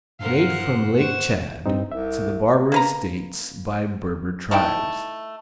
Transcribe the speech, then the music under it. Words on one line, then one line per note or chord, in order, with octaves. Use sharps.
Made from Lake Tchad to the Barbary States by Berber tribes.
G2 A#2 A#4 C5 F5 F#5
C5 F#5 C#6 E7
G2 C4 D#4
C2 E5
A#3 B4 A#5
A3 D#4 E4 G5